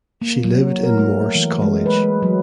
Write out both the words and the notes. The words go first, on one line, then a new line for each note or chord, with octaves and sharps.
She lived in Morse College.
A#3
F#3
A#4
A3
E3
G#3
B4
F#3